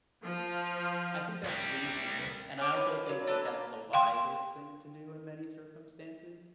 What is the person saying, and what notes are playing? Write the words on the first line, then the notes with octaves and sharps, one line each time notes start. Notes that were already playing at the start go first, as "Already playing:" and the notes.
I think that's reasonable. And I also think that that's the wisest thing to do in many circumstances.
F3
C2 G3
C#4 F5 D6
F4 B4
F3
F#3 D5
D4 A4 B4
A#3
F5 G5 C6